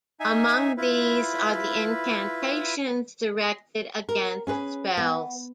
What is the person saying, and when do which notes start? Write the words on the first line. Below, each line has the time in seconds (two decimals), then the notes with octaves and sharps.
Among these are the incantations directed against spells.
0.20 D#4 E5 G#5
0.78 E4 F4 B4
4.09 A#4
4.47 C#4 G#4 B4
4.97 B3